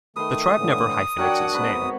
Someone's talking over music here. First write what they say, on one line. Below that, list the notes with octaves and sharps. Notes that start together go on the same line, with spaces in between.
The tribe never hyphenates its name.
D#3 A3 B4 C6 D#6
A2 D3 E3
D4 F#4 A#4 C#5 D5 F#5 G5 F#6
G#1 G#3 B3 B4